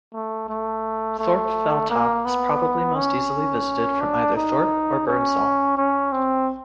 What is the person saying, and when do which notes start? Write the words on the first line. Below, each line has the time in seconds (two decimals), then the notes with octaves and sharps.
Thorpe Fell Top is probably most easily visited from either Thorpe or Burnsall.
0.13 A3
0.49 A3
1.19 A3
1.90 A#3
2.25 B3
2.95 C#4
4.01 D4
4.36 D#4
5.07 C#4
5.77 C#4
6.12 C4